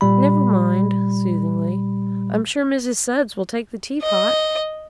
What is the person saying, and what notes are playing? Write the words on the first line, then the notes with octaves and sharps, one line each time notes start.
"Never mind," soothingly, "I'm sure Mrs. Sudds will take the teapot."
A#2 G3 B5
D#5